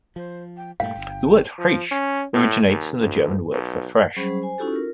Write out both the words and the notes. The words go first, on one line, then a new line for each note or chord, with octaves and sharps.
The word "Frisch" originates from the German word for "fresh".
F3 C5
G5
G2 A#2 A3 F5 G5
G1
F3
C#4
A2
D#2
D2
B1
F#3 G3 C#4 G#4 C5 B5
C5 G#5
C#4 D#4 E4 F#4 G4 A4
F4 A#4